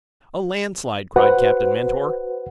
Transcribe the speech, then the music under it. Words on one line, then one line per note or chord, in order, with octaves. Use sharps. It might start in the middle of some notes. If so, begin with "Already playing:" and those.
"A landslide!" cried Captain Mentor.
F#4 B4 C5 F#5